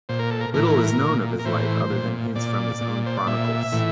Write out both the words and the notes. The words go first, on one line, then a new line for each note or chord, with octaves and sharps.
Little is known of his life other than hints from his own chronicles.
A#2 C5
A#4
A4
A#4
A2 E3 A#4
A#2
A#4
A2 E3 C5
A#2
A#2 D5
A#2
C5
D5
A#2 E5
A2 E3